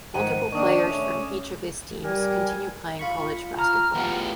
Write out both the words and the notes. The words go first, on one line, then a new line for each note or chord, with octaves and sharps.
Multiple players from each of his teams continue playing college basketball.
G#2 D#3 F3 F#5 D#7
D#3 A#3 D4 C#6 D#6
A3 C#4 D6
G3 G4 A#4 G#5
F4 B5 C#6
A#5 F6
E2 A2 B3 F4 G4 F#5